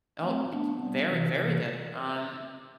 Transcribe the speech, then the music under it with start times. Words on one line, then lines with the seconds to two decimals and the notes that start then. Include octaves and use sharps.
oh, b j very, very good, um,
0.20 A3 C4
0.50 B3 D4
0.79 G3 B3
1.08 C3 E3
1.37 C3 E3